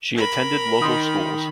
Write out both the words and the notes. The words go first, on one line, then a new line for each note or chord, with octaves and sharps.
She attended local schools.
A#4 B5
D#3 D#4 C6 D#6